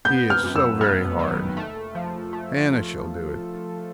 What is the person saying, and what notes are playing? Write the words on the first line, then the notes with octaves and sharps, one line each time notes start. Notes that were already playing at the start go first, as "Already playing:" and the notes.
He is so very hard. Hannah shall do it.
B3 G6
F6
F#2
E6
B3 F6
D#3
A3
F3
A3